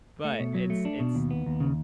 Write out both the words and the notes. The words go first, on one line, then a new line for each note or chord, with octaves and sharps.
but it's it's,
A3
B2
F#3
A3
D4
B2
D#2
B3
D#2
C#3